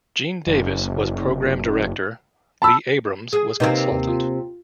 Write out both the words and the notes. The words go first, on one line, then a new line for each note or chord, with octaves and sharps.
Gene Davis was Program Director, Lee Abrams was consultant.
F#1
A5 B5 E6
G#4
C3 A#3 C4 D#4 B4 D#5
D#2
F4